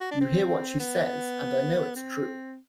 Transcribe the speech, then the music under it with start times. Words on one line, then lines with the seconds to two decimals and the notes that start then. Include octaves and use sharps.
You hear what she says, and I know it's true.
0.01 F#4
0.11 D4
0.21 C4
0.80 B3
1.96 C4